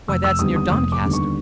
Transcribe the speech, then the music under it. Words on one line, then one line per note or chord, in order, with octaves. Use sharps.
"Why, that's near Doncaster."
F1 E6
E6
D#2 D3 G3 B3 D#6
D#6
F1 D#6
D6
D#2 D3 G3 B3
C#6